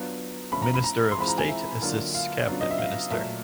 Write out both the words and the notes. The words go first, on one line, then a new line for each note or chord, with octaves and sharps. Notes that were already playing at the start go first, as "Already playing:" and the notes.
Minister of State assists cabinet minister.
Already playing: F#3 B3 D4 F4
F3 A3 C#4 B5
A#5
B5
A#5
C6
E3 G#3 C4 F4 B5
A#5
G#5
E5
D3 F#3 A#3 D4 F4
F5
C#3 F#3 B3 D4 F4
D#5
E5
F5
A#2 F#3 A3 E5